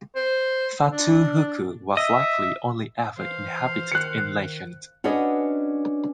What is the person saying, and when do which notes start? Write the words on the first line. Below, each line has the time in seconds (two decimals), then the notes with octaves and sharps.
Fatu Huku was likely only ever inhabited in legend.
0.16 C5
0.92 D4
1.97 D#5 E5
3.17 E3 C5 F5
3.92 D#3 F#6 C#7
5.04 C#4 D4 F#4 G#4 B4 D#5